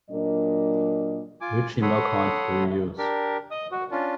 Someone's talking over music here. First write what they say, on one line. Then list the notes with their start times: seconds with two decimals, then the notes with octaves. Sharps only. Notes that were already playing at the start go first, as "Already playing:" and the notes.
Which email client do you use?
0.11 A#2 F#3 D4 A#4 D#5
1.41 F4 G#5 D6
1.82 A4 C#5 F#5 B5 C6 D#6
2.98 D4 G4 A#4
3.51 D#5 D#6
3.72 F#4
3.91 C#4 D4 F4